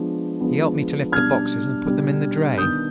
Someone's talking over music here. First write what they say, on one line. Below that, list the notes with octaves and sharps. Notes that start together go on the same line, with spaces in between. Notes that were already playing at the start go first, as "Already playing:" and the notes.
He 'elped me to lift the boxes and put them in the dray.
Already playing: F3 G#3 B3 D4
F3 G#3 B3 D4
B2 G3 D4 F6 G#6
B2 G3 D4
D#3 B3 D4 D#6 G6